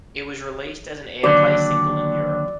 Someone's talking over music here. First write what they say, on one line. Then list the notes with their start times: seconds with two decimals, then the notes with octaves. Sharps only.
It was released as an airplay single in Europe.
1.23 D#2 D3 F#3 D5